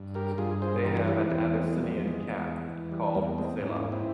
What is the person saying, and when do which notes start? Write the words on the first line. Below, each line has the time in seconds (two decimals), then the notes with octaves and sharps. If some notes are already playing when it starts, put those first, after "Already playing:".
They have an Abyssinian cat called Selah.
Already playing: G2
0.15 G4 A#4
0.38 G2 F4 G#4
0.62 G#4 C5
0.84 E3 G4 A#4
1.07 E4 G4
1.30 E2 C4 E4
1.54 G#3 C4
1.67 G#3
1.77 F3 G3 A#3
2.00 G3
2.08 G#3
2.23 E2
2.38 G#3
2.69 E3
2.92 G3
3.15 E2 G3 A#3
3.38 G#3 C4
3.61 G#2 C#4
3.69 E4
3.76 A#3 C#4
3.92 C4 E4